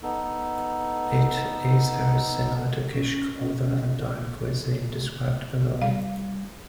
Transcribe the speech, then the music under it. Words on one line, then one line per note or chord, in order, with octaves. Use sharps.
It is very similar to "kishk" of the Levantine cuisine described below.
B3 D#4 A4
C#4
G3 F5